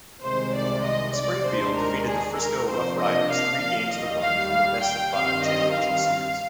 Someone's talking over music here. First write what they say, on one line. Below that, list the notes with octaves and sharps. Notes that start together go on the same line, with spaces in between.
Springfield defeated the Frisco RoughRiders three games to one in the best-of-five Championship Series.
C2 C3 D#3 G#3 C5
D5
D#5
D5
D#2 D#3 G#3 D4 C5
A#4
G#4
A#4
C3 F3 A#3 D4 C5
D#5
F5
D#2 D#3 G3 D#5
F5
F5
G5
G2 D#3 G3 C4 F5
D#5
F5